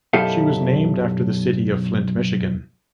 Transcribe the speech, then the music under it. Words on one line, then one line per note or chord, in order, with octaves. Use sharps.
She was named after the city of Flint, Michigan.
B1 F#2 E4 G4 A4 F5